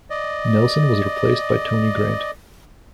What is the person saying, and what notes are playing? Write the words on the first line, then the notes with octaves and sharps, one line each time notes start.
Nelson was replaced by Tony Grant.
D5 D#5